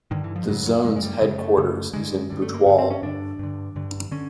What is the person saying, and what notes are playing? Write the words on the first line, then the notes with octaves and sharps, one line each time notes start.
The zone's headquarters is Butwal.
G2 D3 D#3
E3
F3
F#2 C#3 F#3
F#3
F#2 C#3 G#3
G#3
G3
F#2 C#3 G#3
A3
F#2 C#3
G2 D3 G#3
G2 D3 G3
A3
A#3
G2 D3 B3
C4
C#4
G2 D3 D4
G2 D3
G2 D3
D3 C#4